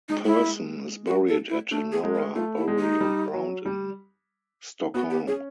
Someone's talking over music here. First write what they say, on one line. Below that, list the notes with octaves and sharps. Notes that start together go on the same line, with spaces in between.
Persson is buried at Norra burial ground in Stockholm.
G#3 D#4
E4
F#4
A4
E4
A3 D4
G#4
G#3
A#4
A3 F4
E4
G#3
D#4
G3
F#3
G3
B3 F#4
G4
C#4 G#4